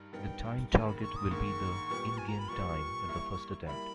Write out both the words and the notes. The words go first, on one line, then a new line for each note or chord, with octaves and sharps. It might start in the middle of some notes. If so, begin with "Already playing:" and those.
The time target will be the in-game time at the first attempt.
Already playing: G2 G3 D#4 A#4
G2 G3 B3 D#4 A#4 G5
G#2 D#3 A#3 G#5
B5
B5
C#6
D#6
G#2 D#3 A#3 C#6
A#2 G3 B3 G4
G#5
A#5
B5
A#2 G3 B3 G4 C#6
G3 A#3 E4 A#4
G3 A#3 E4 A#4 B5